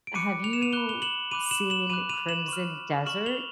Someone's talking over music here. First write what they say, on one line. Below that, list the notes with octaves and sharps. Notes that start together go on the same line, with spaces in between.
have you seen Crimson Desert?
D7
B5 D6 F#6 C#7 D#7
F7
E7
D#7 F7
B5 D6 F#6 G7
F7 G7
E7 F#7
B5 D6 F#6 D#7 F7
E7 F#7
E7 F#7
B5 D6 F#6 D#7 F7
D#7 F7
E7 F#7
C#6 F6
C#6 F6 E7 F#7
F7 G7